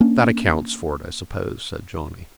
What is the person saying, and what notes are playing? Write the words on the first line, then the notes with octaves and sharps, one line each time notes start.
"That accounts for it, I suppose," said Johnny.
A#3 C#4 D4